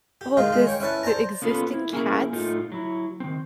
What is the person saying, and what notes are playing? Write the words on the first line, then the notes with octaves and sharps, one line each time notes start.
Well, does the existing cats,
G4
D#3 G#3 D#4 F4
D#3 G#3
C#5 G5
C#4 E4 B4 A5
C5 D5 A5 A#5
A#3 B3 C#4 F4 A4 B4
E4
A#3 C#4 E4 G#4 A#4 G#5
A2 A3 D#4 F4
F#3 E4
D#3 C4